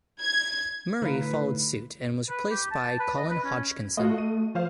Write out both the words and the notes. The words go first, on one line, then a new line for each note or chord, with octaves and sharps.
Murray followed suit, and was replaced by Colin Hodgkinson.
G#6
A2 D3 D#4 F4 B4 F5
B4
G4
A5
B4
D#5
B4
C#4
A3 F4 F#4 D#5
D#7
F3 F4 C5 F5